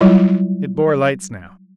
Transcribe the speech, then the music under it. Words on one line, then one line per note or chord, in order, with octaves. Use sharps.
It bore lights now.
F#3 G3 E4 F4